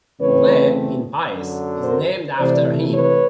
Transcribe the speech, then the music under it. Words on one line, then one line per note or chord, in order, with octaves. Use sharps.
The in Paris is named after him.
E2 C#3 E3 A3 C4 B4 C#5
F#2 D3 F#3
A#4 C5
C3 E3 A3 C5 D5
B4 C#5